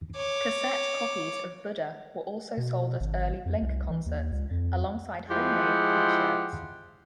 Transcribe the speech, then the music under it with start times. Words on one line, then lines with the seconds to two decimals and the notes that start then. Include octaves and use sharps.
Cassette copies of "Buddha" were also sold at early Blink concerts, alongside homemade T-shirts.
0.16 C#5 D6
2.57 B2
3.00 G#1
3.46 F2
3.62 C2
3.90 E3
4.06 D#2
4.32 C#2
4.51 F2
5.30 F3 G#3 E4 G4 F#5 C6